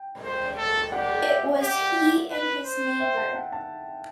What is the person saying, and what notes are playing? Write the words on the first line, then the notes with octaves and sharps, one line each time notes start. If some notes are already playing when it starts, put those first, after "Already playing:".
It was he and his neighbour.
Already playing: G5
C5
A4
G4 D5 F#5
E5
G4
B4
C5
E5 G5
F#5 A5
F#5 A5
F#5 A5